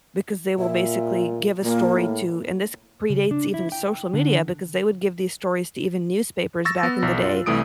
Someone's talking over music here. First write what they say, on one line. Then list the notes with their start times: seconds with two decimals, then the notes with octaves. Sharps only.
because they will basically give a story to and this predates even social media because they would give these stories to even newspapers back in the day,
0.59 A#2 E5
1.63 A#2 A#3
1.93 A2
3.09 C#3
3.31 D4
3.54 E4
3.72 G5
4.13 D3
6.65 C#6 E6 A6 A#6
6.83 B3
7.03 B1
7.23 F4
7.46 C2 E3 A3 D#6 D7